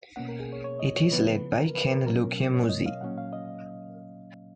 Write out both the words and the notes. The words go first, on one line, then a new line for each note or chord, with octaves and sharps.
It is led by Ken Lukyamuzi.
B2 A#3 C#4 F#5
A#4
G#4
C#5
C#5
D#5
C#5
C#3 F3 B3 B4
A#4
B4
A#4
B2 F#3 C#4 A#4
C#5
D#5
F5
A#2 F#3 A#3 C#4 F#5
F5
D#5